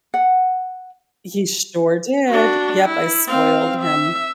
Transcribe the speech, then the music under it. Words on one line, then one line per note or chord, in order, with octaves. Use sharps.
He sure did! Yep, I spoiled him,
F#5
D4 F#4
E4
C4 F5
E5